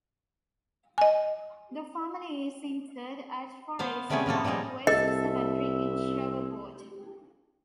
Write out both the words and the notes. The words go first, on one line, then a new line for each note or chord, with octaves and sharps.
The family is interred at Forest Park West Cemetery in Shreveport.
D#5 G#5
B3 C5 F5
C3 G3 A3 B3 C#4 G#4
A2 F3 A#3 A4
F3 G3 B3 D#4 G#4
C2 A4 D#5 E5